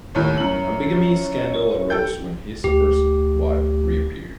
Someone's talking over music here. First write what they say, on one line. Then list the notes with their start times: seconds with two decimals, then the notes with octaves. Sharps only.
A bigamy scandal arose when his first wife reappeared.
0.15 D#2 A2 E4 C#5
0.37 F#2 F#7
1.90 A4 G5 G6
2.64 D2 G4